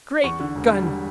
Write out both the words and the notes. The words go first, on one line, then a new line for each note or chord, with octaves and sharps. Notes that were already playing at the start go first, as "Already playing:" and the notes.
Great guns!
E2 C#6
D3
E1
G3